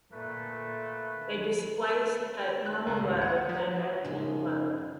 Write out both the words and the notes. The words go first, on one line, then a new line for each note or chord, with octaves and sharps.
They displaced at normal load and at deep load.
A#2 A3 B4
F#6
C#2
G#1
F#5
F3
F#2 C#3 F3 A#3 D#4